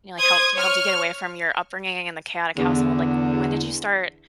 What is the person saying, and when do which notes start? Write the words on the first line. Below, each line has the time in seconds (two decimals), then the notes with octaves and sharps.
You know, like, helped y helped you get away from your upbringing, and the chaotic household like, w when did you start
0.18 C5 C6 D#6 G#6
0.55 C#5 C#6 F6
2.57 E2 D3